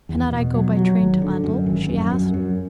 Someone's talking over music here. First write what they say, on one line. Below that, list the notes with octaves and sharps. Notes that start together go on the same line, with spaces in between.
"Cannot I go by train to Oundle?" she asked.
E2
B2
F#3
F#3
G#1
D3
F#2
G#1
F#2
F#2
F#2